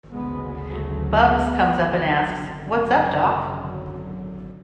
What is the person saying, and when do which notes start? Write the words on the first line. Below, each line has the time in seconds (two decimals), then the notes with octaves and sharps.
Bugs comes up and asks What's up doc?
0.13 D2 C#3 G#3 B3
0.68 F#3 A3
1.23 G#3 B3
1.79 D3 F#3
2.34 F#2 C#3
2.89 D3
3.45 D3 F#3